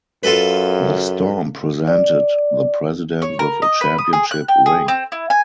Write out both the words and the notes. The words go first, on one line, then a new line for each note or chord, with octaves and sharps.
The Storm presented the President with a championship ring.
F#2 F4 A4 B4
D5
C#5
A#4
D#5
B4
D#6
G#4
F#6
G5
G#4
C4
E4
G#5